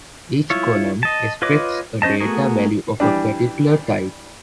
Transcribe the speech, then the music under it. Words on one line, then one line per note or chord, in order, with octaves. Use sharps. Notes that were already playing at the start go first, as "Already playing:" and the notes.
Each column expects a data value of a particular type.
E4 F4 C#5
D#5 A5
F4 B4 C#5 D#5 D6
C#4 C5 D#5 A5
A3 B3 F#4 G#4 A#4
E3 G3 D4